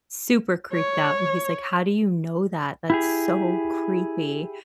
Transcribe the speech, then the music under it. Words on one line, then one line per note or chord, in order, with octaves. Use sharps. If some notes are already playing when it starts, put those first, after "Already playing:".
super creeped out, and he's like, "How do you know that? That's so creepy."
C#5
E4 G4 G#4